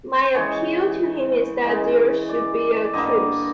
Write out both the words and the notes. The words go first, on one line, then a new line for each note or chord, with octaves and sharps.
My appeal to him is that there should be a truce.
C5
C#3 E3 G#3 C#5
C#3 E3 G#3
D5
D5
G2 D3 G3 A#3 D#5